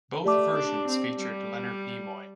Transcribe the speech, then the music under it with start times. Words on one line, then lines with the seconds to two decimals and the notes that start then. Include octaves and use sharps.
Both versions featured Leonard Nimoy.
0.24 A3 G4 D5 A5 D6
0.55 D4
0.88 C4
1.19 G3